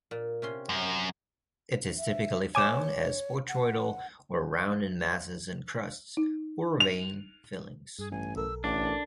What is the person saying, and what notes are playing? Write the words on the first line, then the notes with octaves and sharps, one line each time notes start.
It is typically found as botryoidal or rounded masses and crusts, or vein fillings.
A#2
C3 C#4 C6
F#2
E5
C#5 G#5 D6 E7
F#5
D#4
F7
G2 G#4
A1 G#5
B1 A4 A#4 E6
A1 D4 D6